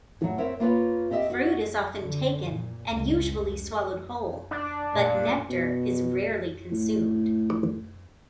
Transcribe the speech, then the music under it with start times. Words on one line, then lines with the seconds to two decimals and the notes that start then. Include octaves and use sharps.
Fruit is often taken and usually swallowed whole, but nectar is rarely consumed.
0.21 A2 F#3
0.38 C4 A#4 C#5 E5
0.60 A#3 F4 B4 C#5
1.11 C4 G4 D#5 E5
1.30 F#4
2.02 D3
2.50 A#2
2.92 C#2
4.51 D4
4.95 A#2
5.49 B2
6.72 A2